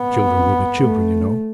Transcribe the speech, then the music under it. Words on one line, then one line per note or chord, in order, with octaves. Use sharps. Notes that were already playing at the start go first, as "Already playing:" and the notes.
Children will be children, you know.
Already playing: B3
A3